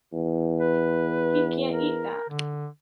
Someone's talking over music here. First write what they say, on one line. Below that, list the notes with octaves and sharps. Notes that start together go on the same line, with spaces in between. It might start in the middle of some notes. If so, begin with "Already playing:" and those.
He can’t eat that.
E2
B4
A#4
D3